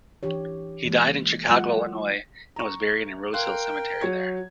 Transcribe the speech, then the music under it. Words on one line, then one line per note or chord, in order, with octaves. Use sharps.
He died in Chicago, Illinois, and was buried in Rosehill Cemetery there.
E3 D4 G4 C#5
E3 G#3 A#3
F#3 G#3 F4 F#5
A#5 C#6
A#4 F5 G5 C6 F#6
F#3 C#5 G#6